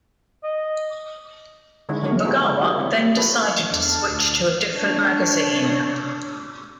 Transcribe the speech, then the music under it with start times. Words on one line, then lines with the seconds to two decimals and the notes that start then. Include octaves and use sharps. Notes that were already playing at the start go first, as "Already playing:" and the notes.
Ragawa then decided to switch to a different magazine.
0.44 D#5
1.89 D3 D#3 G#3 C#4 E4
2.03 D#3 F#3 A3 C#4 A#4 C#5
2.25 G#3 B3 F4 G4 A4 A#4
2.60 F#3 G3 A#3 D#4
2.78 G3 C4 E4
3.16 F3 C#4 A4 B4
3.69 E2 D4 A4 F6
4.03 D2 A#2
4.72 D4 C#5